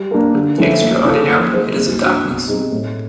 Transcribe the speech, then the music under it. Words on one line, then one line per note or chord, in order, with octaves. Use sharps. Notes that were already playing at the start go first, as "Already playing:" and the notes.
The extraordinary, it is a darkness.
Already playing: G3
A#3 D4 G4 A#4
D3
F3 A3 C#4 E4
A#3
C#4 F4 A4
A#3
D#4 G#4 C5
A#3
D4 F#4
B2
G3 C4 D#4 G#4
A2